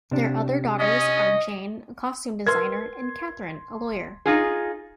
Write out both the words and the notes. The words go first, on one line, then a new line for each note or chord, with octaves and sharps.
Their other daughters are Jane, a costume designer, and Catherine, a lawyer.
C3 D4
C#4 D#5
A#4 B4 C6 G#6
D#4 F4 G#4